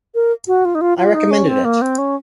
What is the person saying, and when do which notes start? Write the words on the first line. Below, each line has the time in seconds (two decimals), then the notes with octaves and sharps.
I recommended it.
0.15 A#4
0.47 F#4
0.65 F4
0.75 D#4
0.81 F4
0.98 F4
1.14 D#4
1.31 C#4
1.48 C4
1.65 A#3
1.82 C4
1.98 C#4